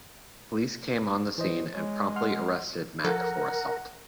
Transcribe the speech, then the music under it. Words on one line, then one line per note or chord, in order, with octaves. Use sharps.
Police came on the scene and promptly arrested Mack for assault.
E3 C5 D#5
G#3 C#5
F#5 C6 F6
F3 A4 A#4 F#5